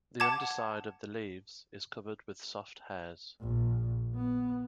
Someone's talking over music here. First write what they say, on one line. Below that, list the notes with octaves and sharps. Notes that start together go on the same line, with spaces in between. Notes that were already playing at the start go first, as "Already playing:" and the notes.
The underside of the leaves is covered with soft hairs.
F#5 A5 D6 G#6
A#1
B3